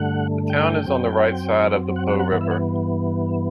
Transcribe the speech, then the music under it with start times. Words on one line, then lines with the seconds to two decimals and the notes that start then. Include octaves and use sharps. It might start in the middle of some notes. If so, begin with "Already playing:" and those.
The town is on the right side of the Po river.
Already playing: G2 D3 A3 F#5
0.50 G5
0.87 F#2 F#3 C4
1.96 F#5
2.08 F#5
2.20 F#5
2.32 G2 E3 B3 F#5
2.41 E5
2.51 F#5